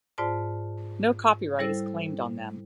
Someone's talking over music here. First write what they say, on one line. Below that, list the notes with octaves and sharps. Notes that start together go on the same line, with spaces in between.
No copyright is claimed on them.
G#2 F4 C5 D5 A5
G3 E4 A4 C5 E6